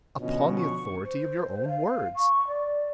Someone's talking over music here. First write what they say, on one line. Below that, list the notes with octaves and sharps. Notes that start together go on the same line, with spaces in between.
"Upon the authority of your own words."
B2 D3 F3 C#4 D#5
C#6
C5
F5
C#6
D5